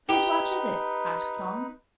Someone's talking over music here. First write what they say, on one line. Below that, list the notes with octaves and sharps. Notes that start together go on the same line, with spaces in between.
"Whose watch is it?" asked Thong.
D#4 G4 B4